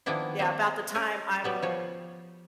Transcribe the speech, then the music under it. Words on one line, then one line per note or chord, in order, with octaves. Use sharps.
yeah, about the time I'm,
D#3 F3 A#3 B3 D4 E4
G3 A#3 C4 D#5 E5
C#4 A#4 G#5
F#3 G3 B3
F3 F4 C#5